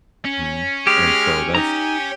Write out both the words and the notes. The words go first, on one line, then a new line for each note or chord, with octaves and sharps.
Mhm, and so that's
C#4
G#3 G4 F6
D#4 G4 A#5